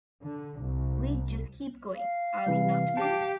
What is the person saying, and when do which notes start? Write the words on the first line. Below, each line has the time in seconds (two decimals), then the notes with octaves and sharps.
We'd just keep going, Are we not men?
0.21 D3
0.59 C2
1.96 F5
2.47 C3 E3 G3
2.97 G4 A5 D6